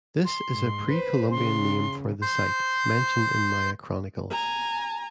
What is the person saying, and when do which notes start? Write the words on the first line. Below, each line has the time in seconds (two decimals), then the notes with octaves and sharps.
This is a pre-Columbian name for the site, mentioned in Maya chronicles.
0.25 C6
0.54 G#2
0.87 B4 C5
1.31 C#3 C6
2.22 C6 G6
4.31 G#5 A#5